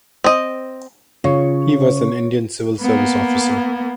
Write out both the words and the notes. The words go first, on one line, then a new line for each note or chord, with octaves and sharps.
He was an Indian Civil Service officer.
C4 D#5
C#3 F4 C#5 C#6
A#3 B3